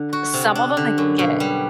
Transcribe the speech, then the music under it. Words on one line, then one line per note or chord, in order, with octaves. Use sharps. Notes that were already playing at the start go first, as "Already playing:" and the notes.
Some of them, they can get
Already playing: D3
F#4
C3
D4
D3
F#2
B2
G3